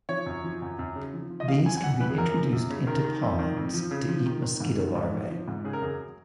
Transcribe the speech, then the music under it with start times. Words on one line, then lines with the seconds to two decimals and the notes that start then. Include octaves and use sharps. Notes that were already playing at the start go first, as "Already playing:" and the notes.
These can be introduced into ponds to eat mosquito larvae.
0.09 F3 C#5
0.26 F#2
0.44 F3
0.62 F#2
0.79 F#2
0.96 C#3
1.14 F3
1.30 F3
1.40 D#5
1.48 F3 F5
1.65 F2 G#5
1.77 G#5
1.83 F2 F#5
2.00 F2 B4
2.10 G#4
2.18 F#2 A#4
2.35 F3
2.53 F#2
2.70 C#3
2.87 D#3 A#4
3.04 D#3
3.22 F2
3.39 D#3
3.57 F2
3.74 F3
3.91 C#3
4.09 F3
4.26 D#3
4.43 D#3
4.60 G#2
4.78 D#3
4.95 G#2
5.13 F3
5.31 F3
5.48 G#2
5.64 C#3 G#4
5.73 A#4
5.82 F#2 G#4